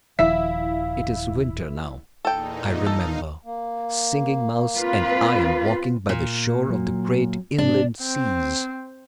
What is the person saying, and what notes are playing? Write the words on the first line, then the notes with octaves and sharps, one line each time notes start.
It is winter now, I remember, Singing Mouse, and I am walking by the shore of the great Inland Seas.
D#1 D#3 F3 E4 E5 F5 B6
E2 A#2 D#4 A4 G5
D#4 A4 F5
A#3
C4 F4 B4
A#2
F#3
G#2 C3 D4
C4